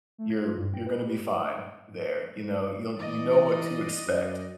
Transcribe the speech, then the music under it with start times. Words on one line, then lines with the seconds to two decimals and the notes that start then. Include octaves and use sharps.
you're you're gonna be fine there, you know, you'll you know what to expect.
0.18 A3
0.30 G#6
0.45 F4
0.58 G2
0.74 G5
0.87 B4
1.07 G4
2.98 E3 D5 D#5
4.06 F#2